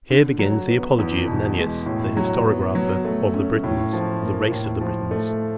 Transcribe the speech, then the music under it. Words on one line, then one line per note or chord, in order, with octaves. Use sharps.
Here begins the apology of Nennius, the historiographer of the Britons, of the race of the Britons.
D3
F#3
B3
E2
B2
G#3
A2
F#3
B3
F#3
A3
C#4
A2
F3
A#3
A2
F3
A3